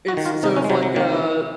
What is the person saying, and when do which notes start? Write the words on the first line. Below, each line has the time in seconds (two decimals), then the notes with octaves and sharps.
It's so it's like, uh,
0.08 F#4
0.17 D#3
0.26 F4
0.43 C3 D#4
0.56 C#4
0.64 G#3
0.70 C3 F#3
0.83 F#3
0.96 D#3 A#3